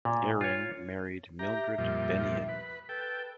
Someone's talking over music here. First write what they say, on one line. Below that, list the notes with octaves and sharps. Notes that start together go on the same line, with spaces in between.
Eyring married Mildred Bennion.
A#2
F4 C#5
G4 E5 A#5
F2 A#2 G3
B4
A4 B4 G5